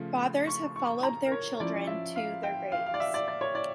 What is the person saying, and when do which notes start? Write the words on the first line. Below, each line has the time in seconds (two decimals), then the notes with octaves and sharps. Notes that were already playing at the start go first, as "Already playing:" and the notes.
Fathers have followed their children to their graves.
Already playing: C#3 F3 A3
0.47 C#6
0.76 C#6
1.03 A#5
1.26 A#4
1.32 C#5
1.60 F3 C#4 E4 D5
1.87 E5
2.16 F5
2.43 G5
2.72 F5
2.86 F5
2.94 D5
3.00 E5
3.14 D5
3.28 D5
3.41 C#5
3.55 D5